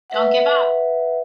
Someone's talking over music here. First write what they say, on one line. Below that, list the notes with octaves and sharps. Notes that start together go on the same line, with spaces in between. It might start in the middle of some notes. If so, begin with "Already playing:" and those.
Don't give up!.
B4 E5 F#5